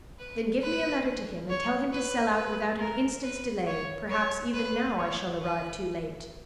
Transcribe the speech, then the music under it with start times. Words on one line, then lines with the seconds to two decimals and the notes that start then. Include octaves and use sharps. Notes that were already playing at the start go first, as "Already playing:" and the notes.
"Then give me a letter to him, and tell him to sell out without an instant's delay, perhaps even now I shall arrive too late."
0.19 B4
0.63 B4
1.50 C#5
1.93 B4
2.36 B4
2.80 A#4
3.24 B4
3.67 C#5
4.10 C#5
4.54 B4
4.98 C#5
5.41 B4